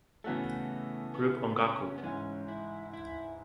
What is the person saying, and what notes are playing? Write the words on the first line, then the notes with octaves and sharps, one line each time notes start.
Group Ongaku.
C#3 E3 A3 B3 F#4 A4
B3
C#4
B3
G#2 E3 G#3 C#4
E4
E4